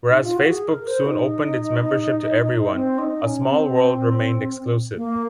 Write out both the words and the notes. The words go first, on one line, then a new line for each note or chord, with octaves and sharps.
Whereas Facebook soon opened its membership to everyone, A Small World remained exclusive.
D#4
F4
F#4
G#4
A#4
C5
D#4
C4
D#4
C#4
C4
A#3